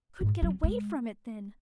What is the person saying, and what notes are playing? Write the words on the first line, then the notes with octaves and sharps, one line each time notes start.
I couldn't get away from it then.
G#2
F#3
G#3